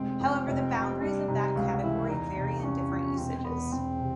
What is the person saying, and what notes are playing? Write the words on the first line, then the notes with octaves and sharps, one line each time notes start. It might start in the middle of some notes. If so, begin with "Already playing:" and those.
However, the boundaries of that category vary in different usages.
Already playing: F1 G#3 C4
F2
F1
C3
G3 D4
C3 D#4
C#2
E3 E4
E2 D#4
C3
E2 C#4
F3
E1 C4
C4
E2 B3
E1 C4
C3